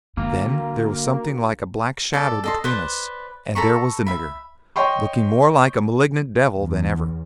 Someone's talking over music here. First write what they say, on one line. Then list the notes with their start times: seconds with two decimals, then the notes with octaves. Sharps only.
Then there was something like a black shadow between us, and there was the nigger, looking more like a malignant devil than ever.
0.17 D3 A#3 D4 F#4 F5
2.13 A4 D5
2.44 A4 D#5 C6
2.64 B4 C5 D5
3.55 A4 A#5 B5 C#6
4.06 E5 B5
4.76 C#5 D#5 G5 C6 C#6
6.55 E2